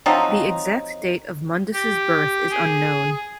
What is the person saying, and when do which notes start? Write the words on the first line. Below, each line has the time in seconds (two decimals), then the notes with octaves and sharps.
The exact date of Mundus's birth is unknown.
0.06 F3 F#3 C4 D#4
1.73 G4
2.50 G#4